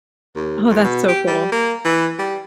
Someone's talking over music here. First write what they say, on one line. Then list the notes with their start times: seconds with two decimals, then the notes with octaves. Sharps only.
Oh, that's so cool.
0.36 D#2
0.70 E2
0.84 B2
1.08 G4
1.27 G3
1.52 A#3
1.85 E3
2.19 G3